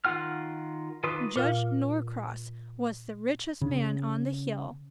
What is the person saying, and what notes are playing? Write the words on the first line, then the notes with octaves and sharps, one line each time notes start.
Judge Norcross was the richest man on the Hill.
D#3 F4 F#5 F6
D#3 F4 B4 D6 D#6
A#2 F4 F5 F6
C#3